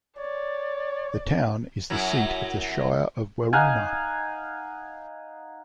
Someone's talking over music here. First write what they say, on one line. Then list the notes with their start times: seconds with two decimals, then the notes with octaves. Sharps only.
The town is the seat of the Shire of Waroona.
0.18 C#5 D5
1.90 F#2 F#3 E4
3.53 D#4 F5 F#5 G#5